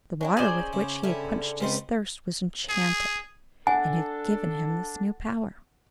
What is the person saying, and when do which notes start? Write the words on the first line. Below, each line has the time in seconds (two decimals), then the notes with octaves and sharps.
The water with which he had quenched his thirst was enchanted, and had given him this new power.
0.21 F#3 C#4 D4 E4
0.37 A#3 G#4 C5 D5
0.73 C#3 E4
1.03 D3 G3 C#4 E4
1.60 C#2 C#3 G3 C4 D#4 C6
2.69 G#4
3.67 D4 A4 F#5 G#5